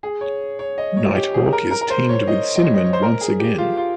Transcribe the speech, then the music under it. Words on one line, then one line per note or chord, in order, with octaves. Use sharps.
Nighthawk is teamed with Cinnamon once again.
G#4
C#5
C#5
D#5
C#5
G4
G#4
A#4
A#4
A#4
C5
C#5
D#5
D#5
C#5
D#5
C#5
C5
A#4
G#4
G4
F4
F4